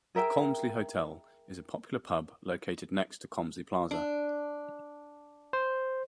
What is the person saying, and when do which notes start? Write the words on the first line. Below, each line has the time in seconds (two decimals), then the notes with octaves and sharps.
The Colmslie Hotel is a popular pub located next to Colmslie Plaza.
0.15 G#4 A#4 E5 G5
3.91 D4
5.53 C5